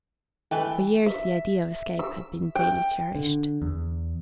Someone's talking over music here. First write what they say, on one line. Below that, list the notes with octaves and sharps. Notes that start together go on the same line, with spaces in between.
For years the idea of escape had been daily cherished.
E3 A3 B4 G5
E5
E6
G5
D3
E2